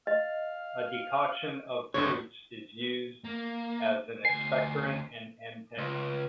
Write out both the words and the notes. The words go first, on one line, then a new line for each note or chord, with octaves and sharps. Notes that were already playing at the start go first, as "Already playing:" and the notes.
A decoction of the roots is used as an expectorant or emetic.
D#5 F5
G#1 G2 D3 G#3 C#5
A#3
D2 G#5 C7
C#2